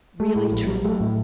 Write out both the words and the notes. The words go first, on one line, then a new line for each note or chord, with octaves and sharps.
"Really true?"
A3
A2
A#1
F#3
A3
A2